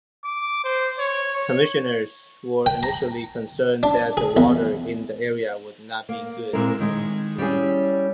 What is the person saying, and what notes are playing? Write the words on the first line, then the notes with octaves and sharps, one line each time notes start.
Commissioners were initially concerned that the water in the area would not be good.
D6
C5
C#5
C#5
G5
A#5
D4
G#4
E2
A#3
A#2 G#3 C4 E4 A#4
D#3 G#3
G3 C#4 E4 G#4